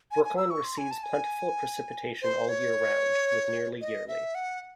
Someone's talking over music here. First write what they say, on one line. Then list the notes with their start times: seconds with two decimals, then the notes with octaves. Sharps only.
Brooklyn receives plentiful precipitation all year round, with nearly yearly.
0.11 G#5
0.25 G#5
0.37 E6
0.51 C#6
0.64 C6
0.78 G#5
0.91 A5
1.03 G#5
2.22 C5
2.49 C#5
3.81 D#5
4.08 E5
4.35 F#5